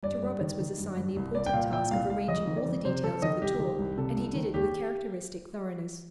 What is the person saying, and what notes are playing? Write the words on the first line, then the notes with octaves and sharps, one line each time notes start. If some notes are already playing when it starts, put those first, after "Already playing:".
To Roberts was assigned the important task of arranging all the details of the tour, and he did it with characteristic thoroughness.
G2 D5
G2
D#3
D#3
G2
G2
C2
C2 D5
G5
A#2 F5
A#2 G5
C2 F5
C2 F5
F2 D#5
D#3
D5
F2
C3 C5
F2 A4
D#3 D#5
C2 G4
D#3
C2
C3 A4
C2
D#3
D#2 G4